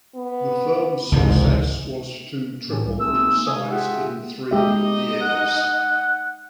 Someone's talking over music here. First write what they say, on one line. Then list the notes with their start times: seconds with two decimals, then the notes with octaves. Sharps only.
The firm's success was to triple in size in three years.
0.15 B3
1.12 G#1 C#2 G#2 C3 E3
2.69 A2 E3
2.84 C2
2.99 A3 C4 D#4 G#4 E6
3.47 C3 F5 G#5 D#6
3.71 F4 G4 G#4 E5 F#5
4.51 G#3 D#4 G4 D#5 E5
5.22 F#5